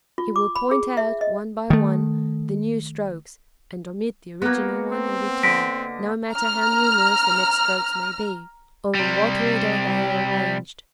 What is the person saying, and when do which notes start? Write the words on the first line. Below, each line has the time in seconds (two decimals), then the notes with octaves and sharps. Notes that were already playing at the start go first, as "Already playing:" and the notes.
He will point out one by one the new strokes and omit the original one every time, no matter how numerous the next strokes may be, or in what order they are arranged.
0.18 F4
0.36 D6
0.56 B5
0.71 G#4
0.97 E5
1.21 D#5
1.70 D#3 A3
4.42 A#3 B3 F#4
4.92 C4
5.43 D3 D#5 A#6 B6 D7
6.31 A#5 F6
8.95 C3 G3